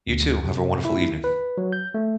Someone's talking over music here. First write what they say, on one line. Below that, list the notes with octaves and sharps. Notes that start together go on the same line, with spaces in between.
You too. Have a wonderful evening.
D2
C3
E4
B4
F#3
G6
A3